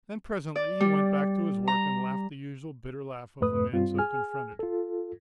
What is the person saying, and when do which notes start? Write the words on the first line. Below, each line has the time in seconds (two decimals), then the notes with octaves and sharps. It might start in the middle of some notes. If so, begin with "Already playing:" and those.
Then presently he went back to his work and laughed the usual bitter laugh of a man so confronted.
0.56 D5
0.80 G3
1.68 A#5
3.41 F2 G#2 A3 B4 D#6
3.72 G2 G3 C4 F4
3.99 G#4 G#5 F6
4.59 F4 A4